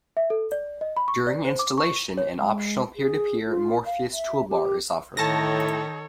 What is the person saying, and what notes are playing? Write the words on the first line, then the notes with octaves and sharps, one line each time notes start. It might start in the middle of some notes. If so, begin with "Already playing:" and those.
During installation, an optional peer-to-peer Morpheus Toolbar is offered.
E5
A4
D5
D#5
B5
C#6
D5
C5
D6
C#6
D#7
C#5
G#3
G#4
F4
F5
E5
G4
A2 D#3 A4 C#5 A5 A#6